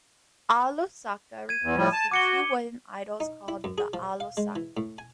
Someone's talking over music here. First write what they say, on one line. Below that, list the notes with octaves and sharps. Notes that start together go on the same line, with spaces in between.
Alosaka refers to two wooden idols called the Alosaka.
G#6 D#7
E2
A2 F3 G3
A5
F#4 D6 C#7 G7
D#4
E4
F#2
G#4
F3
F5
G#3
E3
A2
G#5